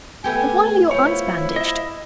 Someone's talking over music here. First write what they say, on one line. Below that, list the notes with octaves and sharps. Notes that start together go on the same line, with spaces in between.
'And why are your eyes bandaged?
A3 B3 G4 G#5
F3 B3 E4 C#5
D#5 E5